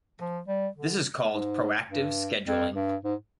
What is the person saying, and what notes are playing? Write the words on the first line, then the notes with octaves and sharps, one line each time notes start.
This is called "proactive scheduling".
F3
G3
D3
G#2
G2
F2
G2
G#2